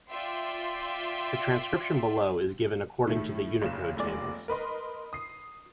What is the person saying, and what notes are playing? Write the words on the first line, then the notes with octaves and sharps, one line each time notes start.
The transcription below is given according to the Unicode tables.
F4 D5 E5 G5 C6
A2 D#3 A3
F#1 C#3 E7
F1 D#2 G#3 D5
A#4 B4 D#5 C6
D#6 C7